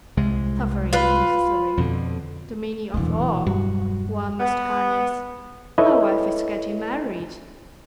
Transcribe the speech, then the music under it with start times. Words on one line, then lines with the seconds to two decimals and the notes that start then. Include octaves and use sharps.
Suffering is necessary... the meaning of all... one must harness... my wife is getting married...
0.17 C2 G#3
0.93 F4 B4
1.77 F2 B2 D3
2.94 E1 A#2 D3 E3 F#3
3.47 G2 F#4
4.40 B3
5.78 E4 A4 B4 C#5 D#5 E5